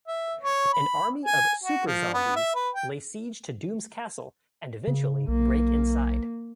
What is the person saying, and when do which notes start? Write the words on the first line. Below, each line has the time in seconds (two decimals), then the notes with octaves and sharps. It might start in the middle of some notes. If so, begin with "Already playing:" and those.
An army of super-zombies lay siege to Doom's castle and eventually break inside.
0.08 E5
0.42 C#5
0.73 B5
1.25 G#5
1.64 F#4
1.87 F3
2.13 B3
2.36 E5
2.55 B4
2.75 G5
4.88 C#3
5.28 B1 A#3